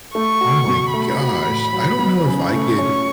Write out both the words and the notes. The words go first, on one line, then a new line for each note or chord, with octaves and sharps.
Oh my gosh. I don't know if I could,
A3 C#6
F#4
B2
A3 B5
F#4
A2
F#3
B3
C#3
A3 C#6
C#4